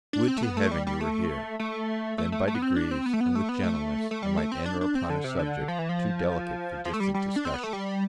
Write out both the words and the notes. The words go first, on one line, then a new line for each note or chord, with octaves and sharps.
Would to Heaven you were here!-then, by degrees, and with gentleness, I might enter upon a subject too delicate for distant discussion.
D4
C4
A3
B3
A3
G3
G3
A3
A3
A3
A3
A3
B3
C4
D4
C4
B3
A3
B3
A3
B3
A3
A3
G3
A3
C4
D4
D4
C4
D3
C3
D3
F3
E3
F3
F3
A3
G3
G3
D4
C4
B3
A3
G3